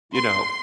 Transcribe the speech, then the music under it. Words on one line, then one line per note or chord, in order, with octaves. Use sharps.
you know,
C6